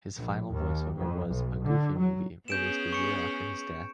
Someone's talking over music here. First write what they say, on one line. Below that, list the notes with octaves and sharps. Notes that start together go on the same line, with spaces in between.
His final voice-over was "A Goofy Movie", released a year after his death.
A#1
D#2
F2
B1
D3
F#3
B3 C#4 G#4 G6 D7 E7
C#6 C#7